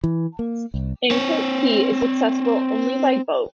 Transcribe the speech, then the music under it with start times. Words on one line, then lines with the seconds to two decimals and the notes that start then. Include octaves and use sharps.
Anclote Key is accessible only by boat.
0.04 E3
0.39 A#3
0.74 C2
1.11 C4 C#5